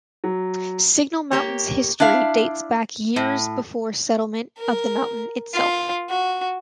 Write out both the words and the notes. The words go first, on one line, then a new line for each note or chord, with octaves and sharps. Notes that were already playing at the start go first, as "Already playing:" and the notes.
Signal Mountain's history dates back years before settlement of the mountain itself.
F#3
A#3 G4 C#5
D4 E4 E5 F5
A2
A#4
F4
F#4